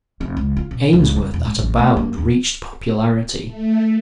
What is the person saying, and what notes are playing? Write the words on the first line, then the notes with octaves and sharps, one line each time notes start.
Ainsworth at a bound reached popularity.
F1
C#2
F4
B2
C#2
G3
E1
G#2
A1
A3
A#3
D#2
A3